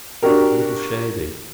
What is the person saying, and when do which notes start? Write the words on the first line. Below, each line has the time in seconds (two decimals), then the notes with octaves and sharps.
A little shady.
0.23 D4 F#4 G4 A#4